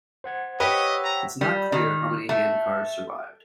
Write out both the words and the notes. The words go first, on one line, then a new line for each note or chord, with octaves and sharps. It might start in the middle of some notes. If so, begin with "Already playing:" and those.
It is not clear how many handcars survived.
C5 F#5 G#6
G4 B4 C#5 D#5 E5
A#5
G3
D#3
A3